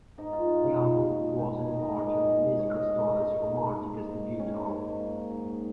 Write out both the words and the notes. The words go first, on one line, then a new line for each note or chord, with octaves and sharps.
The album was a departure in musical styles from Martika's debut album.
G#2 D#4
F4
G#2 F4
C#4
A#2
F3
D#3 D#4
C#5
D#3
G#4
A#4
G#2 D#5
G#3
G#3 C#5
D#5
C#3 C#5
A#4
G#2 D#4
A#3
G#2
G#2
D#3 C#4
G#2
A#3
G#2